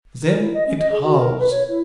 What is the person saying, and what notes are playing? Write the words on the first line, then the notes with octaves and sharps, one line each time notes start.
Then it howls!
A#4
E4
D#5
C#4
D#5
G#4
F#4
A#4
B4
C#5
E4